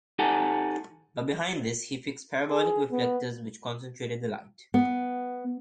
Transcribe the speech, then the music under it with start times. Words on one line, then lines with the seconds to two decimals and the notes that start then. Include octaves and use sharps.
But behind this he fixed parabolic reflectors which concentrated the light.
0.19 D#4 G4 A4 F#5 G#5
2.48 G#4
2.92 B3
4.74 B3